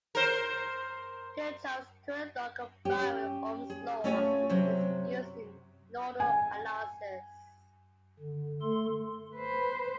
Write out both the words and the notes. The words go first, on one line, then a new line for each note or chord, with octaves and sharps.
Kirchhoff's current law combined with Ohm's Law is used in nodal analysis.
A#4 C5
C#4 G4
G#4
A3 C#4 F4 C#5 D#5 G#5
C3 F#3
G#5
D3
A3 A4 C6
B4 C5